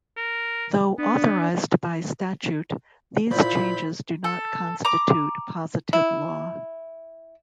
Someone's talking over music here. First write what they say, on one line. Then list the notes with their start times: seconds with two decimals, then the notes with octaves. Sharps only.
Though authorized by statute, these changes do not constitute positive law.
0.17 A#4
0.98 B3 D4
3.31 A#2 E4 F4 C5 B5
4.24 A4
4.85 A#5 D6
5.93 E4